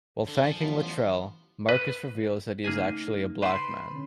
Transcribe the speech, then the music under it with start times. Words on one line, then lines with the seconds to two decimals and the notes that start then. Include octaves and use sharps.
While thanking Latrell, Marcus reveals that he is actually a black man.
0.27 D3
0.44 F3 G#5 A5
0.61 A1 F#2 B3
0.79 F4 C5
1.69 B4
2.64 C#3 A3 A#3 D#4 G#4 G#5
3.42 B4 C5 D5 B5 C6
3.93 D3 C#4